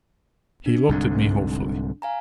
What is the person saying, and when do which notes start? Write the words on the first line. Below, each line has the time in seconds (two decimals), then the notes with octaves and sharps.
He looked at me hopefully.
0.66 D4
0.89 C2 G#2 D3
2.02 F5 G#5 A#5